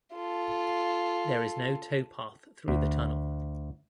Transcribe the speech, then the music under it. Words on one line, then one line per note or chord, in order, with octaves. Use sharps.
There is no towpath through the tunnel.
F4 A4
D2